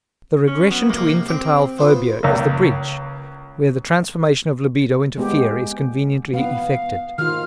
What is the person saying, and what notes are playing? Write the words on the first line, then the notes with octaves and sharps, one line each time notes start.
The regression to infantile phobia is the bridge where the transformation of libido into fear is conveniently effected.
C#4
F#3 B3
C2 A#3 G4
C4 G4
F3 B3 F4
C#2 A#3
G#3 B3 G4
B3 F5
D#3 F4 F6